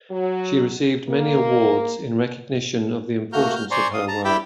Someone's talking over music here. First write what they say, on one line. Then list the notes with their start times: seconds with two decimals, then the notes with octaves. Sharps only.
She received many awards in recognition of the importance of her work.
0.11 F#3
1.08 A#3
3.33 A3 A#3 F#4 A#5 F6 G6
3.56 F6 G6
3.71 C5 D5 G#5 A#5 C6 C#6
3.94 F5 D#6
4.08 A5 A#5
4.25 E4 G4 G5 B5 D6 E6